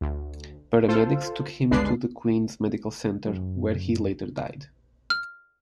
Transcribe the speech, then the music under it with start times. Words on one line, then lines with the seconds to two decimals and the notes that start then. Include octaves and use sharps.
Paramedics took him to the Queen's Medical Center, where he later died.
0.01 D2
0.88 F4 A4 C5
1.71 G1 C#2 G#3 D4 B4 C7
3.26 F#2
5.10 F6